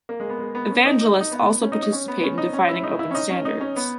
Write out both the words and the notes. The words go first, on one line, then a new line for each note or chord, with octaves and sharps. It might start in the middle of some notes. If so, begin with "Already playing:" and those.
Evangelists also participate in defining open standards.
A#3
G#3
B3
G#3
B3
C#4
D#4
D#4
D#4
B3
C#4
D#4
D#4
C#4
B3
C#4
D#4
C#4
E4
D#4
E4
C#4
D#4
C#4
D#4
C#4
B3